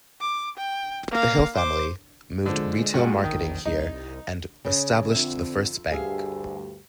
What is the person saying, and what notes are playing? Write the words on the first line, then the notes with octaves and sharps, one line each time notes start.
The Hill family moved retail marketing here and established the first bank.
D6
G5
A#3 F5
C5 D6
D3 F3 G#3
G2 A#2 F#4
A#1 D#3
C2 D#4
C#3
F2 D3 C4 E5
D2 G2 G4 G#4 E5 F5